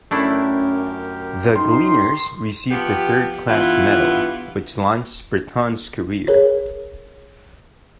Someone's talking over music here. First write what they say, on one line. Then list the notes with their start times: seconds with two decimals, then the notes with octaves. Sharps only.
"The Gleaners" received a third class medal, which launched Breton's career.
0.11 F#2 A3 C#4 D4 E4 G4 A#4
1.56 D#4 C6
2.71 F3 B3 G4
3.48 G2 E3 B3 F4
6.28 G#4 A#4 C#5